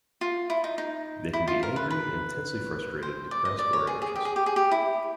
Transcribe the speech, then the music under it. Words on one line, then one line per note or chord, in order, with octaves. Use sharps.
They can be angry, intensely frustrated, depressed, or anxious.
F4
E4
D#4
D#4
E4
F4
A#4
B4
B4
C5
D5
D#5
D5
C#5
G#4
G#4
G4
G#4
G4
G#4
G4
E4